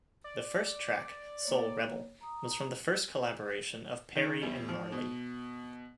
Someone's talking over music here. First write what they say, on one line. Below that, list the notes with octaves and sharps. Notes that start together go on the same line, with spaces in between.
The first track, "Soul Rebel", was from the first collaboration of Perry and Marley.
D5
A#3 C#5
A#5 D#6
D#3
E2 G3
F3
B2